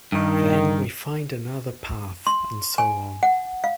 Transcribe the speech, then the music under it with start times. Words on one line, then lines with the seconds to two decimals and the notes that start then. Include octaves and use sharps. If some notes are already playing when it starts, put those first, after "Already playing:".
Then we find another path, and so on.
0.12 G2 D#3
2.27 C6
2.78 G#5
3.23 F#5
3.64 F5